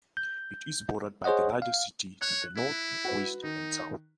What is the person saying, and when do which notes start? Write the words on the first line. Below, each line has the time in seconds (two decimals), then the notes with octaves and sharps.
It is bordered by the larger city to the north, west, and south.
0.17 G6
1.24 G#4 C5 C#5 D#5 F#5
1.62 F5
2.21 C#5 F#6
2.57 E4
3.05 F#4 B4
3.43 D#3 D#4